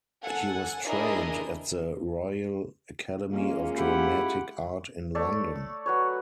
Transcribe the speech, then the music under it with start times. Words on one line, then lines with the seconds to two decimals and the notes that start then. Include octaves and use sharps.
He was trained at the Royal Academy of Dramatic Art in London.
0.22 A4 F#5 G#5
0.85 D4 E4 G#4 A#4 D#5
3.33 G#3 A#3 C#4 F4
3.75 E4 G4 F#5
5.15 A3 C#5 D5
5.86 F#3 B4 C#5